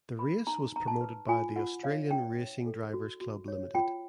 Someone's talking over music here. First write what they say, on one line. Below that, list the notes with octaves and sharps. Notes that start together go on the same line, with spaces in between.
The race was promoted by the Australian Racing Drivers Club Ltd.
B4 B5
D#4 A#5
D#4 A#5
A5
B4
F4 G#5
F4 F#5
C#5 F5
D4 G5
C#5
A4
F#4
F#4
C#5
F4 G5